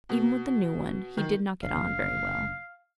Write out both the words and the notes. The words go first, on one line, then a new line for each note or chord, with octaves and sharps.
Even with the new one he did not get on very well.
B2
D#3
F#1 D3 F5